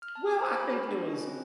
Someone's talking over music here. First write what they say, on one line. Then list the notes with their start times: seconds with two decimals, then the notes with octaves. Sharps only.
Well, I think it was
0.02 F6
0.15 A5
0.27 D6
0.41 C5
0.56 B5
0.72 F#4
0.88 D4
1.01 D#5
1.15 C#4
1.27 C4